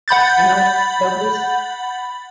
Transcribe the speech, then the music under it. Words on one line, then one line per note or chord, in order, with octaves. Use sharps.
No nobody's
F#5 B5 G6 A6